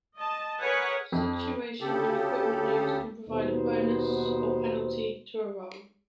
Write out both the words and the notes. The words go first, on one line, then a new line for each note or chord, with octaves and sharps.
Situation and equipment used can provide a bonus or penalty to a roll.
D#5 A5
G#4 A#4 B4 C#5 F#5 G#5
F2
D2 C#3 G4 A4
D#2 B2 B3 D#4 C5